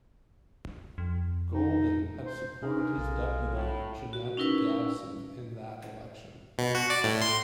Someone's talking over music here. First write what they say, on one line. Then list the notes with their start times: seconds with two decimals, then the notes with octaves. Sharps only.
Golden had supported his Deputy Jeannette Gadson in that election.
0.98 F2
1.54 D#4
2.26 C5
2.62 C3 G#3 D4 D#4 G#4 A#4 B4
2.98 B1 A4 F5
3.52 A2
4.13 F#4
4.37 C#4 D#4 E4 A#4 B4 E6
6.58 B2
6.75 F#4
6.90 D5
7.04 A2
7.22 C6